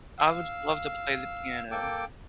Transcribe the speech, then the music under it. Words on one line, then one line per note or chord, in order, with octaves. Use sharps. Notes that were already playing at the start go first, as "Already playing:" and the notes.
I would love to play the piano.
F5 E6
A#3 A4 G5 D6